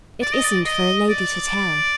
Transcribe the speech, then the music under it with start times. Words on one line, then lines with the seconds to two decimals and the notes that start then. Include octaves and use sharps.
'It isn't for a lady to tell.'
0.22 D5
0.33 D#5
0.44 D5
0.65 D#5
1.09 D5